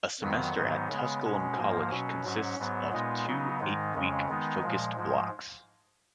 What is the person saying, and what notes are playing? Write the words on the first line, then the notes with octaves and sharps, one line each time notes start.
A semester at Tusculum College consists of two eight-week Focused Blocks.
F2 D#3 F#3 B3
G#2 D#3 F#3 B3 D#4
C#3 G#3 B3
B2 G#3 C#4
G#2 F3 A#3
B2 F#3 C#4
G#2 F#3 C#4
G#2 F#3 B3
A#2 G#3 B3 D#4
C#3 F#3 B3 D#4
G#2 D#3 G#3 D#4
F2 C#3 G#3 C#4
D#3 G#3 B3 D#4
A#2 F3 G#3
G#2 F3 G#3